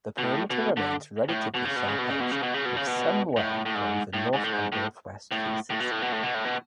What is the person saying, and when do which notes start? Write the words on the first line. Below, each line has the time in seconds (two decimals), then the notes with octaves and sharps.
The perimeter remains relatively sharp-edged, with some wear along the north and northwest faces.
0.18 B2
0.24 A2
0.50 B2
0.77 D3
1.29 A2
1.54 B2
1.65 C#3
1.76 B2
1.88 C#3
1.98 B2
2.10 C#3
2.20 B2
2.31 C#3
2.43 B2
2.54 C#3
2.65 B2
2.76 C#3
2.87 B2
3.36 A2
3.66 A2
3.75 G#2
4.13 A2
4.33 G#2
4.43 A2
4.53 G#2
4.72 A2
5.31 A2
5.70 A2
5.80 B2
5.91 A2
6.02 B2
6.12 A2
6.23 B2
6.34 A2
6.45 B2